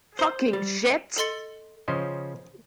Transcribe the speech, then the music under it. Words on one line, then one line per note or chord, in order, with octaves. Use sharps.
Fucking shit!
C5
G3
A4 D#5 C6 A6 C#7
C#3 F3 C#4 C5 D#5